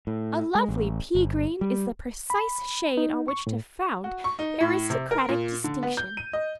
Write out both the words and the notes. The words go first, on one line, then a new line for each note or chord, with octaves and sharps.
A lovely pea-green is the precise shade on which to found aristocratic distinction.
A2
G#3
A1
G1
G3
B5
D#4
C#6
A2
F#4
C#6
D#4
A2
C3
A#4
A#2
D3
B3
G6
D#7
D#5